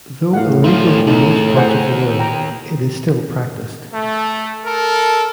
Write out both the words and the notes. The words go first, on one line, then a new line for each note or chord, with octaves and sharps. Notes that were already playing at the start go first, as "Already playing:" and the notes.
Though illegal in most parts of the world, it is still practiced.
A2 F5 F#5
A#2 F3 E5 F5
D#2 D#4
G#4 C5 F#5
G5 A#5
A3
A4 A#4